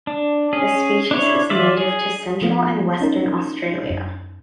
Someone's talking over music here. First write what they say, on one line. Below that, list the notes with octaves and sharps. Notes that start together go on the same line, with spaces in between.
The species is native to central and western Australia.
D4
C#4 G#4
D4 E4 C#5
E3 F4 D5 E5
G#4
F3 A3 B3 F4
C#4 D#4 A#4
F#2